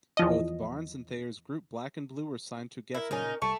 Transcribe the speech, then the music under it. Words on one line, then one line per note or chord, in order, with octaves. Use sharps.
Both Barnes and Thayer's group Black 'n Blue were signed to Geffen.
E2 F3 D#5
E4 A#4
A#2 C#3 C#4 D#4
C2 G3 A3 A5 C#6